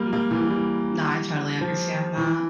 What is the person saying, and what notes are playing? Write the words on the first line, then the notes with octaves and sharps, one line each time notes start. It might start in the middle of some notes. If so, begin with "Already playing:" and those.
Mhm. No, I totally understand that.
Already playing: G3 A#3
G3 A#3
E3 G3
E3 G3
F3
E3